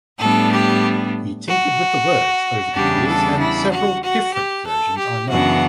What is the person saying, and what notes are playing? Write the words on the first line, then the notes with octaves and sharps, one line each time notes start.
He tinkered with the words over the years and several different versions are known.
A2 G3 B3 D4 A4
G4
F#4
E2 C#3 G3 D4 G4
A4
E4
F#4
F#4
G4
A4
G4
F#2 C#3 E3 B3 D4 F#4